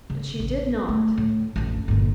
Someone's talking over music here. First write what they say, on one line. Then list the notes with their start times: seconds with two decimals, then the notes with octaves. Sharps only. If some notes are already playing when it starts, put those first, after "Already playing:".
But she did not.
0.10 C#3
0.40 A1
0.89 A3
1.18 A2
1.56 A1 F2
1.88 G1 A#2